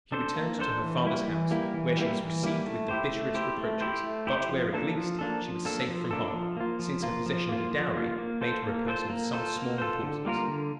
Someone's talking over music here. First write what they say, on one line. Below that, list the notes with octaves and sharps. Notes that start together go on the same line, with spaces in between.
She returned to her father's house, where she was received with the bitterest reproaches, but where, at least, she was safe from harm, since her possession of a dowry made her a person of some small importance.
D4 A4 C5
A#3
D4 A4 C5
E3
G3 A#3 E4
E3
G3 A#3 E4
E3
G3 A#3 E4
E3
G3 A#3 E4
A3
E4 G4 C5
A3
E4 G4 C5
A3
E4 G4 C5
A3
E4 G4 C5
F3
A#3 D4 A4
F3
A#3 D4 A4
F3
A#3 D4 A4
F3
A#3 D4 A4
F3
A#3 F4
F3
A#3 F4
F3
A#3 F4
F3
A#3 F4
A#3
F4 A4 C5
A#3
F4 A4 C5
A#3
F4 A4 C5
A#3
F4 A4 C5
D3
G3 A#3 F4 A#4
D3